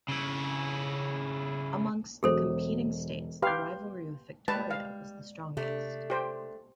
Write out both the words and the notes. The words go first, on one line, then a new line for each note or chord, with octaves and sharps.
Amongst the competing states, the rivalry with Victoria was the strongest.
C#3 E4
E1 F#3 G#4 A4 C5
G4 B4 F5 C6 G6
G3 G#3 B4 A5
F5
C3 A3 D4
G4 C5 G5